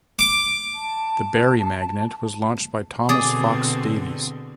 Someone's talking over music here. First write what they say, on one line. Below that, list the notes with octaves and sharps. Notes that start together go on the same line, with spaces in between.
The "Barrie Magnet" was launched by Thomas Fox Davies.
D6
A5
B2 D3 C4 G#4 D5